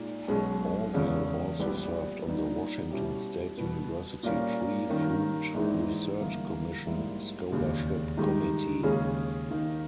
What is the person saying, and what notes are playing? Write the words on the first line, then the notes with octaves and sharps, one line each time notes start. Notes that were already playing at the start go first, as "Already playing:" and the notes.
Auvil also served on the Washington State University Tree Fruit Research Commission Scholarship Committee.
Already playing: A#2 G#3 D#4
B1 B2 G#3 C#4
E2 C#3 G#3 C#4
A#1 A#2 G3 B3 G4
A#2 G3 B3 D#4
B2 G3 C#4 E4 G4
B2 G3 B3
A#2 G3 A#3 C#4
G2 D#3 A#3 C#4
A#1 G#2 E3 G#3 D#4
G1 G2 E3 A#3
A#1 G#2 G3 A#3 E4
E1 D#2 C#3 G#3
G2 D#3 G#3 D#4 G4
D#2 C#3 G#3 C#4 G#4
D#2 D#3 A#3 D#4